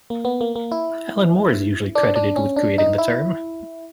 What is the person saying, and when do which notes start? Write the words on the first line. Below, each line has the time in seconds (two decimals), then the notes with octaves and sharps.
Alan Moore is usually credited with creating the term.
0.10 A#3
0.25 B3
0.41 A#3
0.56 A#3
0.72 E4
1.95 D4
2.16 D4
2.36 C#4
2.56 D4
2.78 D#4
2.98 E4